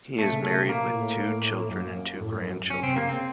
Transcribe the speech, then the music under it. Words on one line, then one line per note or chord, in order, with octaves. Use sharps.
He is married with two children and two grandchildren.
A#2 A3
C#3
C3
C#3 A3
C3
A#2 A#3
A2
F#2
A2
F#2
F#2 C#4
C3 C4
C#3 A#3
C#3 C4